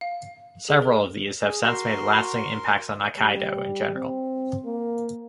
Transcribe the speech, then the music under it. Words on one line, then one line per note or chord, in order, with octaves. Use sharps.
Several of these have since made lasting impacts on aikido in general.
F5
G#4
A#4
G#4
F#4 A#4 C6
G3
C4
A#3